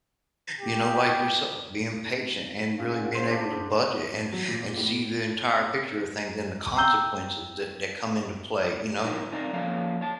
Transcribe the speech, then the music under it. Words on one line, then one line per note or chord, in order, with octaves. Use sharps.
you know, like yourself, being patient and really being able to budget and and see the entire picture a things and the consequences that that come into play, you know?
G4
C#3
F#5
C5
D4
F#3
A#2
A2
G5 A#5 E6 G6 G7
D3 D#4 E4 G4 A#4 C5
C4 D4 D#4 A#4 D5 F5
F3 A#3 C#4 A4 C#5 F5
C#5 A5